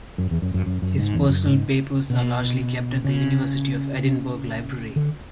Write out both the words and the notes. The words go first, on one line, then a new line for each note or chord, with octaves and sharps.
His personal papers are largely kept at the University of Edinburgh library.
F#2
E2
F#2
F#2
F#2
F#2
G#2
E2
F#2
G#2
B2
C#3
D3